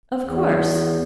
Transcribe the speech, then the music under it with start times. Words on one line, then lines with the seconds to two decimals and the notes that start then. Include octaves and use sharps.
'Of course.
0.23 E2